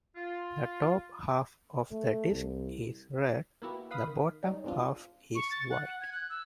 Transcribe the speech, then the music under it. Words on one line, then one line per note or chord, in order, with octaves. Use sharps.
The top half of the disk is red, the bottom half is white.
F4
A3
C2
A#3 B3 E4 F#4 G4
B4 F5 B5 D#6
D#3
G3 C#4 D#4
G#2 G#3 C4 D4 F4
C#6
A6
F#5
F#5
G#6
F#6
E6